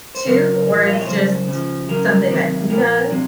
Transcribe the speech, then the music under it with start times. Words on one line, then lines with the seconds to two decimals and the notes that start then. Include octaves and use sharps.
too, or it's just something that he does?
0.15 C5
0.26 C#3 F#3 A#4
0.67 A#2 F3
0.87 F5
0.93 D#5
1.01 C#5
1.07 C#3 F#3 C5
1.48 C#3
1.53 F3
1.88 C#3 F#3 A#4
2.30 C3 D#3 F#3
2.69 A#2 F3 A#4
3.10 C3 F#3